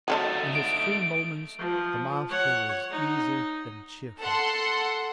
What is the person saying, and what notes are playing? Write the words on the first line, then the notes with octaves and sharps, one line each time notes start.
In his free moments the Master was easy and cheerful.
D3 E3 F#3 A3 D#4
D7
F3
C#5 F#5
D#4
A4 F#5 C6